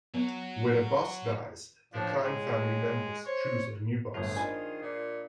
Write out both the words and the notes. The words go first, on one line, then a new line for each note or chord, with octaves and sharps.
When a boss dies the crime family members choose a new boss.
F#3 B3
A2 F3 D4
G#3
C5 C#5
D1 G1 A3 F4 G#4
D#3 D4 C5 D#5 G#5 B5
A#2